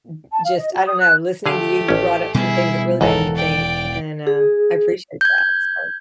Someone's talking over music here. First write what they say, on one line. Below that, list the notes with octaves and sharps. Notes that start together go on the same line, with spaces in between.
u just, I don't know, listening to you, you brought up some things that really made me think, and, uh, I appreciate that, so,
A5
F5
D#5
F#4
D#6
F#6
D3 A3 G4 G#4 F5
A1 C#4
B2 G3 B3 E4 G#4
E1 C#2 G#2 E3 A4 A#4
D5 G5
G#4
G6 G#6